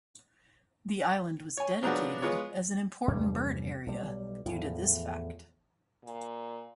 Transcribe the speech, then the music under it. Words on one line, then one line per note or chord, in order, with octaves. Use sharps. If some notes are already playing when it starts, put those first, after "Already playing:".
The island was dedicated as an Important Bird Area due to this fact.
C#5 G#5
F3 F#3 G#3 B3 D4 F#4
G#3 B3 F4 C#5
F1 E2 G2 G3
B1 G3
E2 A2 F3
A#2